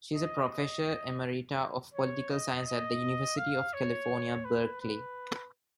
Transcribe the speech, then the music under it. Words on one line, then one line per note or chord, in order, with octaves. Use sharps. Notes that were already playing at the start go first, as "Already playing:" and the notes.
She is a Professor Emerita of Political Science at the University of California, Berkeley.
D#5
D#5
C#5
D#5
D#5
F5
C#5
B4
B4